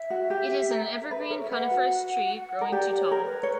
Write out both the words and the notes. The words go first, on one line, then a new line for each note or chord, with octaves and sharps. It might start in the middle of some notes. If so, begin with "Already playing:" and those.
It is an evergreen coniferous tree growing to tall.
Already playing: E5
F#4
G4
A#4
B4
A#4 C#5
E5
B4 F#5
F#4
A#4
G4 D5
D5
C#5
A#4
B4
C#5